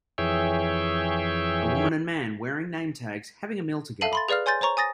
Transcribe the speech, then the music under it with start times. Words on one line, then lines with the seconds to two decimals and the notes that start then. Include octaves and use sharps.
A woman and man, wearing name tags, having a meal together.
0.18 F2 E3 G#4 C#5 E5 G5
4.01 A4 E5 F5 A5 D#7 F#7
4.13 B5 C6 A6
4.28 G#4 B4 D5 F5 F6
4.46 C#5 G#5 C6 G6 A6
4.61 C5 C#5 A#5 C#6
4.77 G#5 D#6 A6 A#6